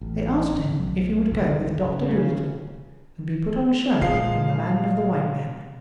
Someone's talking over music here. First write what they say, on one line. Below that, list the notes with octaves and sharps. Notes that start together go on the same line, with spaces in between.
They asked him if he would go with Doctor Dolittle and be put on show in the Land of the White Men.
A1
G#1 C#4
B1
F#1 C2
F#1 A#2 C#3
C#3
A#2 F3 G#3 F5 C7